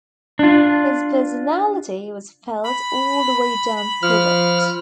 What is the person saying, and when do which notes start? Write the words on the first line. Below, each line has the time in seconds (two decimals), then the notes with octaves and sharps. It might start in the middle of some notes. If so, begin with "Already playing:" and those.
His personality was felt all the way down through it.
0.39 D4 F4
2.64 B5
4.03 F3 F6